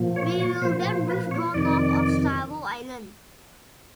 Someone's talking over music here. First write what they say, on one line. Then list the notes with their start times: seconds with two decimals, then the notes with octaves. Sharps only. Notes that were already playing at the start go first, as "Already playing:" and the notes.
We will then withdraw north of Savo Island.
Already playing: A#2 F3
0.16 C#5
0.40 C#5
0.62 A#2 C5
0.65 F3
0.85 C5
1.08 B4
1.31 C#5
1.54 F2 C3 D#3 D5